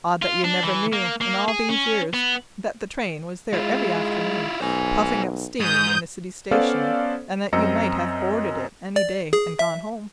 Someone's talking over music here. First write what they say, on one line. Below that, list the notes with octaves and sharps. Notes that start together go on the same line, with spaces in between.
Odd that you never knew, in all these years, that the train was there every afternoon, puffing up steam in the city station, and that you might have boarded it any day and gone home.
F4
D4
E3
A#3
A#3
G#4
C#4
B3
G#3 E4 F4
B1 C5 G#5
G#2 D#6 G6
B3 C#4 A4 C5 D5 F5
F#2 C4 D#5 A#5 E6 C#7
D5
G#4
E5